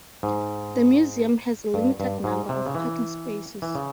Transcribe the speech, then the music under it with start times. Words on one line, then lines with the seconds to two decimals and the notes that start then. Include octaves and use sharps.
The museum has a limited number of parking spaces.
0.23 G#2
1.74 G2
2.00 G2
2.24 G#2
2.49 C3
2.66 C#3
2.75 E3
3.62 E3
3.75 C#3